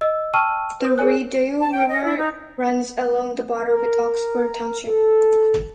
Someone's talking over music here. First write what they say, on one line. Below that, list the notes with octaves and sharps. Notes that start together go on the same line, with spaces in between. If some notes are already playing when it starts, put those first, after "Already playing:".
The Rideau River runs along the border with Oxford Township.
D#5 E6
G5 A5 C#6 E6 F6 D#7
B4 C5 D#6
G#4 A#4 C#5 G#5 F#6
A5
G5
D#5
E4
D#4
A#4
A4